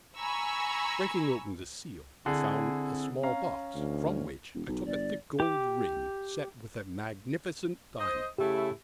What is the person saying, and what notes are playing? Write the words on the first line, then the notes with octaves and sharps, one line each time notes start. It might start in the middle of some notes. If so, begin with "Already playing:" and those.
Breaking open the seals, I found a small box, from which I took a thick gold ring, set with a magnificent diamond.
G#5 A#5 B5 C#6 E6
D3 C4 E4 G#4
C#4 F5 A#5
D2
E1
B1
G1 D5
G4 D6
C5 D#5
C#3 A3 E4 G4